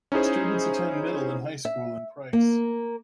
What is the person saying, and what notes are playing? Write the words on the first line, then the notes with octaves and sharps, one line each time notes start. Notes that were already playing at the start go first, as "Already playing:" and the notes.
Students attend middle and high school in Price.
C#4 D#4 E4 G#4 C5
E5
A#3